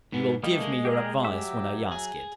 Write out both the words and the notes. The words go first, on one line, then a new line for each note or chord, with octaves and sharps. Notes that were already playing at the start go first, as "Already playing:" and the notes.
You will give me your advice when I ask it.
G#2 B3
G3 A3 A#3 D#5
G#3
G4 G#4 A#4
F#3 G4 E5
G#4